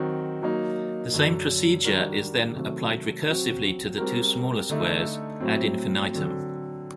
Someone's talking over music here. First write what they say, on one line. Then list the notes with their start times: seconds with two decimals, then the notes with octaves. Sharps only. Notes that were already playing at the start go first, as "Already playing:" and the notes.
The same procedure is then applied recursively to the two smaller squares, "ad infinitum".
Already playing: D#3 F#3 C4 D#4 F#4
0.42 F#3 A#3 D#4
1.13 F#2 D3 F#3
1.85 D#3 G3 D4 F#4 A#4
2.55 C3 D#3 F#3 A3 C4
3.27 F#3 C4 F#4
3.98 G3 C4 F#4 A#4
4.70 D3 A3 D#4
5.40 A2 F#3 C4
6.11 D3 F#3 C4